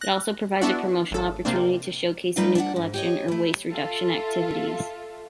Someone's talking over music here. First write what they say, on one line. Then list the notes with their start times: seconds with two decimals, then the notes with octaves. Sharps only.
It also provides a promotional opportunity to showcase new collection or waste reduction activities.
0.01 F#6 A#6
0.61 B3 D4 E4 F#4
1.11 G#1 A4
1.45 C3 A#3 C4 D4
2.36 G3 A3 D#4 F4 B4 F5
2.55 D4 D5 E5 F#5
2.76 G#2
2.94 G4 C#5 D#5
3.28 A3 E4
3.70 F4 A4 E5